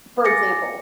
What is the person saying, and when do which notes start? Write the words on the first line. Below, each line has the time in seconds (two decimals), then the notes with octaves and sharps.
for example,
0.24 G#5 D6 A6 A#6 C#7